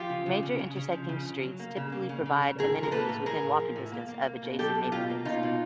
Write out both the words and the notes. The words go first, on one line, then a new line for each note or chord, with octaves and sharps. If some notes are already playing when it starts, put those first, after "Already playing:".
Major intersecting streets typically provide amenities within walking distance of adjacent neighborhoods.
Already playing: F3 F4 G4
C#3
C#3
C#3
C#3
C#3
F3
C#3
C#3
F#3
A#3
C#3
A#3
C#3
C#3
C#3
A2 G#4 A#4
F3
A#4
A#3 A4 B4
A2
A2 G#4 A#4
A2
F3
A2
A#3
A#3
A#3
B2
F#3 G4 A4
B2
B2 F4 G4
A#3
B2 D#4 F4
B2